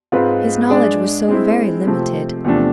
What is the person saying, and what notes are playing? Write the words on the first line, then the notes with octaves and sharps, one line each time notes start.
His knowledge was so very limited.
G#2 G#3 C4 F4 B4
G#3 D4 G#4 D5
G#3 C4 E4
C3 F3 A3 C4
E2 C3 F3 A3 D4